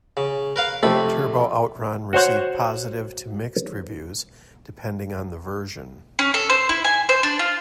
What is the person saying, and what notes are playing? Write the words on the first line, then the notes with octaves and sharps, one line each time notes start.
"Turbo Outrun" received positive to mixed reviews, depending on the version.
C#3
A#4 B4 F5
F2 C3 A3 B5
F#4 C5 C#5 F#5
C#4
A4
C5
E4
G#5
C5
D4
F4